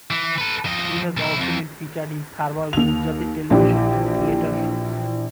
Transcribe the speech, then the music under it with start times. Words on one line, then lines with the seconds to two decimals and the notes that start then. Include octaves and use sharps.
She has also been featured in several Gujarati television and theatre shows.
0.11 E3
0.38 A4 B4
0.65 F3 D#5
1.17 B1 E4
1.41 F2
2.73 D#2 F7
3.50 A#1 E3 D4 G4